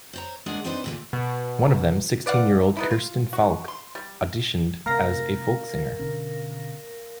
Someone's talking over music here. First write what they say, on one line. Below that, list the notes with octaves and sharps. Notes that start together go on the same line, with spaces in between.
One of them, sixteen-year-old Kirsten Falke, auditioned as a folk singer.
C5 C#5 A#5
G#3 A#3 D4 G#4 F#5
C4 D4 D#4 B4 C5
D2 A#2 A3
B2
B4 D5 F5 F#5
B3 D#4 E4
F4
F#4
C6
G3
C3 A3 A#4 F5 A#6
B2 D3 C#4